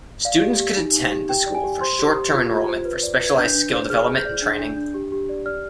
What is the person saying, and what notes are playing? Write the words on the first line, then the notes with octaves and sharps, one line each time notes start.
Students could attend the school for short-term enrollment for specialized skill development and training.
D5 F5
G4
G4
D#4
D#4
G4
G4 G5
D5
G#5
G4
C5 C6
G4
G4
F4 G#6
F4
C5
B4
D5
B4
G#6
D4 G6
D4
C5
G#4 F6
G#4
G6
D5
D4
D4
D4
G4
G4
D5
D5 F6